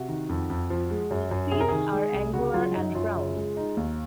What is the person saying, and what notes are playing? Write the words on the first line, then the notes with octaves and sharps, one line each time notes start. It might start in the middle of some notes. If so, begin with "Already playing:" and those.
Seeds are angular and brown.
Already playing: C3 F#4
D#3
F2
F2
F3
G#3
F#2
F#2
C3 G#4
A#4
D#3 G#4
G#3
C2
C#3 F#4
F#3 F4
F#2 D#4
F#2 F4
C#3
G#3
D#4
D#2